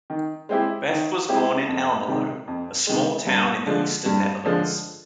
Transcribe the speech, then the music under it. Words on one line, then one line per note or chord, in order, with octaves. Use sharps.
Beth was born in Almelo, a small town in the eastern Netherlands.
D#3
G#3 C4 E4 G4
D#3
G#3 C4 E4 G4
F2
C3 D#3 G#3
F2
C3 D#3 G#3
G2
D3 F3 G#3
G2
D3 F3 G#3